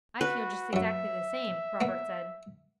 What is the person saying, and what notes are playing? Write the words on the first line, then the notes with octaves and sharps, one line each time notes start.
'I feel just exactly the same,' Robert said.
F#4 B4
F#2 F#3 E5
A#3 B3